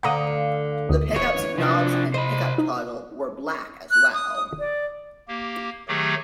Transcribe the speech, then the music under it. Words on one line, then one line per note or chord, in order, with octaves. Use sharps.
The pickups, knobs and pickup toggle were black as well.
D2 D3 F5 F#5 A#5 D#6
D2 D#6
E3 C#5
C3 F3 D4
C5 D#5 B5
D#4
F#6
D#6
D5
A#3 G4
D#3 F#3 A3 G4 G#4 C#5